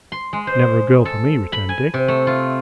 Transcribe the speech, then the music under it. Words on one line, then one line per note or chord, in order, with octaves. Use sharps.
"Never a girl for me," returned Dick.
C6
G#3
C5
A4
B5
G#5
C3
A3
F4